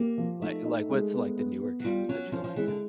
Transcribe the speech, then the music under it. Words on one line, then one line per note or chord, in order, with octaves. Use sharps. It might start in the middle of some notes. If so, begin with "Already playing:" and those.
like like, what's, like, the newer games that you like?
Already playing: A#3 G4
F3
A3 D#4
D#4
G#3
B3
B3
B3
F#3
G3 F4
F#3 C#4
F3 C#4
F3
E3 G#3
D3